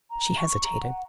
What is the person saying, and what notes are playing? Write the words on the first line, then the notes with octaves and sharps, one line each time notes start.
She hesitated.
A#5
C#6
A#5
F#5